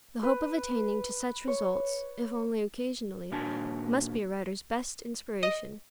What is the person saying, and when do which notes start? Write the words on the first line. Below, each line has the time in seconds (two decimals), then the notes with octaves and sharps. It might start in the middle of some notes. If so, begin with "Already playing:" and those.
The hope of attaining to such results, if only occasionally, must be a writer's best inspiration.
0.23 B4
1.47 C#5
3.32 A#2 A#3 D4 F#4 G#5 A5
5.43 D#5